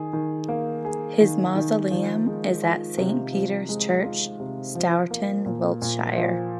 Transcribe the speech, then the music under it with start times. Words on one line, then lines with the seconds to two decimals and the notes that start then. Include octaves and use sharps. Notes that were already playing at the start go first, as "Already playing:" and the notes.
His mausoleum is at Saint Peter's Church, Stourton, Wiltshire.
Already playing: D#3 G#4
0.13 D#3
0.49 A#3
0.85 G#4
1.21 D#3
1.56 D#3
1.91 F3
2.26 G#3
2.62 F4
2.98 C3
3.33 F3
3.69 G#3
4.04 F4
4.40 C3
4.75 F3
5.11 A#3
5.46 A#2
5.82 A#2
6.17 F3